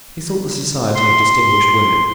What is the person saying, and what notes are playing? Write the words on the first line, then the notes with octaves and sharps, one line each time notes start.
He sought the society of distinguished women.
C6